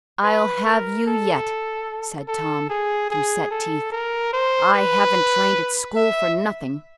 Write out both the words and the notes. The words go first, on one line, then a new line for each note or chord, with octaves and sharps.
"I'll have you yet!" said Tom, through set teeth; "I haven't trained at school for nothing!"
B4
A#4
A4
A4
G#4
G#4
A4
A#4
C5
B4
E5